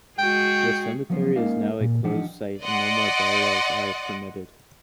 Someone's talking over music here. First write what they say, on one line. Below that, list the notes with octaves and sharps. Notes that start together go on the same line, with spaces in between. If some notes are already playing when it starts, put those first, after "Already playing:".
The cemetery is now a closed site and no more burials are permitted.
G#3 F#4 G#4 G5
F3 F#3 B3 C#4 B4 C5
G#3 A#3 C#4 D#4 A#4 F5
A#2
E3 F3 D4 D#4 G4 F#5
D5 D#5 F#5 C6